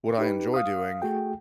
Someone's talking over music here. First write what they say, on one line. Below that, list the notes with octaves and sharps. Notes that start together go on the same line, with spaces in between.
what I enjoy doing,
D#4 G4 B4
F5 D#6
A3 F#4 G#4 G5